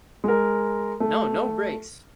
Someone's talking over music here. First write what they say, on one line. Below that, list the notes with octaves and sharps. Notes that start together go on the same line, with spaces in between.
No, no breaks.
G#3 A#4
A3